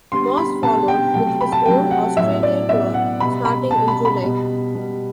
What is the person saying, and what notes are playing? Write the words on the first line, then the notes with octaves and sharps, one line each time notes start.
Moss followed with his own Australian tour starting in July.
D3 G3 B3 C6
B5
D3 G3 B3 A5
G5
C3 F#3 A3 G5
B5
A5
C3 F#3 A3 G5
F#5
A2 F#3 B3 E5
D5
A2 F#3 B3 E5
F#5
B2 G3 B3 B5
B5
B2 G3 B3 A5
B5
B5
B2 G3 B3
B2 G3 B3